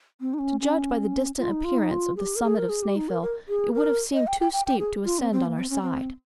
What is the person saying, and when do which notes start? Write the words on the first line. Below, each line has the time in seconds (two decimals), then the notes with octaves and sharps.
To judge by the distant appearance of the summit of Snaefell, it would have seemed too steep to ascend on our side.
0.21 C4
0.34 D#4
0.39 C#4
0.60 C#4
1.38 F4
1.51 D#4
1.64 F4
1.78 D#4
1.91 F4
2.17 G#4
2.21 G4
2.36 A#4
2.44 G#4
2.56 A#4
2.69 G#4
2.83 G4
2.96 D#4
3.09 A#4
3.22 A#4
3.49 G#4
3.74 A#4
4.14 D#5
4.27 G5
4.41 G5
4.53 G5
4.67 G5
4.79 G#4
5.05 F4
5.19 C4
5.32 C4
5.46 A#3
5.59 C4
5.70 C#4
5.82 C4